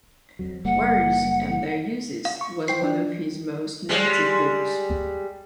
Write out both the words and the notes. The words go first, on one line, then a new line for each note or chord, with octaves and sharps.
"Words and Their Uses" was one of his most noted books.
F2 F#3
F#1 G3 A#3 F#5
F5
C#6
C5 G5 C7
F3 D4
G3 G#3